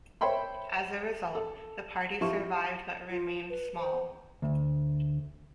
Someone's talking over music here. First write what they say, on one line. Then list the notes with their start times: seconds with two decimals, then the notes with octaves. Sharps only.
As a result, the party survived but remained small.
0.21 C5 C#5 E5 G5 B5 C6
1.35 A4
2.21 F3 E4 G4 C#6
3.10 F4
3.50 B4
3.78 C5
4.42 D2